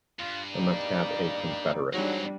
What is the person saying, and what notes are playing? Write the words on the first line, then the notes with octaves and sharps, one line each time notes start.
I must have a confederate.
E2 G2 F4
G3 A#3 D#4 D5
G#2 E3 F#3 G3 A#3 D4